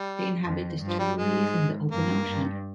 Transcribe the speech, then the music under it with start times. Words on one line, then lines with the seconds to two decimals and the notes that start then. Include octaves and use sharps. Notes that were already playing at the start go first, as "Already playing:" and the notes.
They inhabit estuaries and the open ocean.
Already playing: G3
0.44 F2
0.81 G2
0.88 F3
0.99 G3
1.17 G#2 G#3
1.91 G2 A#3
2.28 G2